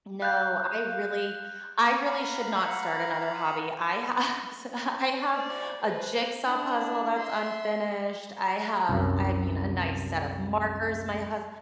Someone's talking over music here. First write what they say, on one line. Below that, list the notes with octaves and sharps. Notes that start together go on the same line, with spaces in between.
No, I really I really should not start another hobby, I have so I have a jigsaw puzzle that's unfinished, I have I mean, a nice set of markers, my hus
F5 F#6 G6
F5 F#5 A#5 B5
C5 D5
B4 C5
D4 E4
E5 C6
C2 F#2